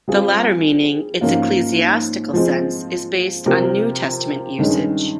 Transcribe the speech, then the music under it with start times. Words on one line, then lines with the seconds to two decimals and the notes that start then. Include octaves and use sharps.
The latter meaning, its ecclesiastical sense, is based on New Testament usage.
0.08 G3 C4 F4 G#4
1.21 G#2 F3 A#3 C#4 F4
2.33 F3 G#3 C4
3.46 C3 F3 C4 G4 A#4
4.59 G2 D#3 G#3 C#4